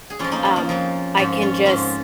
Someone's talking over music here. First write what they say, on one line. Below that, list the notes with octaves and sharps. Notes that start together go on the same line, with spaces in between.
um, I can just
G#4
F2 F3 C#4 F4
A#3 D#4
C#4
A#3 D#4
F2 F3
G#2 F3 C#4 F4
C#4 F4
G#2 F3 C#4 F4